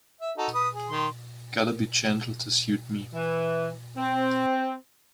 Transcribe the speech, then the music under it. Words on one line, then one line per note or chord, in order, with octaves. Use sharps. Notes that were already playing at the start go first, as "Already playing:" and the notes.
Gotta be gentle to suit me.
E5
D#4 F#4 A4
B4 D#6
G#4
D#3 C6
E3
C4